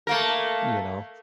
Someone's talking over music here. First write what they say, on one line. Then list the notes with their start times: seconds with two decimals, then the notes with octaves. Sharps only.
you know?
0.07 A3 A#3 A#4